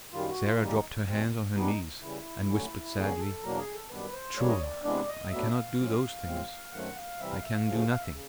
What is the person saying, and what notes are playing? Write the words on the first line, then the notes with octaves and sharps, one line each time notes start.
Sarah dropped her hands on her knees, and whispered sadly, "True, I cannot do those things--I can do nothing."
F#2 D#3 G3 F4
F#4
F4
D#2 C#3 E3 G3 A#3 D#4
E2 B2 G#3 C4
G2 E3 G3 B3 D4 D#4
C#3 E3 G3 E4
D#2 D3 F#3 A3 C#4
F2 D3 F#3 A#3 C#4 G#4
A4
E2 B2 F#3 A#3 D4 A#4
G#4
A4
F#2 D#3 G3 B3 D4 B4
C5
C#3 E3 G3 A#3 D4 C#5
D#5
D5
C3 E3 G#3 B3 D4 D5
D#5
A2 F#3 B3 D4 E5
F5
A2 F3 G#3 C#4
A2 F3 G#3 C4
F#2 D#3 F#3 A3 C4 F#5
F5
C3 E3 G3 C4 E5
F5
E5
F5
D2 C#3 F3 A3 F5
F5
F5
E5
C#3